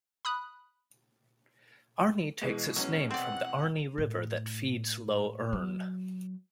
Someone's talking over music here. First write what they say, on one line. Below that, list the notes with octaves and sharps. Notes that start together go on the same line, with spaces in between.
Arney takes its name from the Arney River that feeds Lough Erne.
B5 D#6 F#6
B2 E3 G#3
F#3 C#4
C4 D5 F#5
A2
F#3